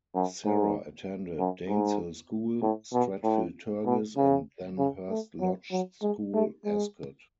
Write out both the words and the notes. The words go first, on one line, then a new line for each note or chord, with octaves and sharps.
Sarah attended Daneshill School, Stratfield Turgis and then Hurst Lodge School, Ascot.
F#2
G#2
F#2
G#2
A2
B2
A2
B2
C#3
C#3
A3
F#3
F#3
G#3
A3
G#3